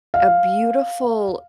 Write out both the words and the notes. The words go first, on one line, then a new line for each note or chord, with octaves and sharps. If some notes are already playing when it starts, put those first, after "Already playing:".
a beautiful
F5